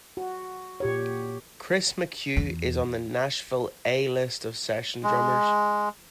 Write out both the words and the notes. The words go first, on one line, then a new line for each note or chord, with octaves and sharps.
Chris McHugh is on the Nashville "A" list of session drummers.
F#4
A#2 G4 C#5
E2
G#3